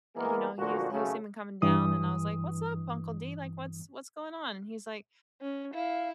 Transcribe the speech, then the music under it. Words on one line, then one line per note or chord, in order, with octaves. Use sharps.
you know, he was he was seeming coming down, and I was like, "What's up, Uncle D? Like, what's what's going on?" And he's like,
E3 G#3 A#3 B3 G#4 A#4
A1 A#2 D3 F3 F#4
G#1 C#3 F#3 A3 C#4
G2 E3 D#6
C#4
E4 F5